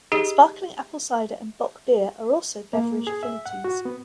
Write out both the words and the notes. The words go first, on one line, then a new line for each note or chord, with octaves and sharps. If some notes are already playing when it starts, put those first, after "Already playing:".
Sparkling apple cider and Bock beer are also beverage affinities.
D#4 G4 G#4 D#5
A#3
G#4
E5
F#5
F#4
B3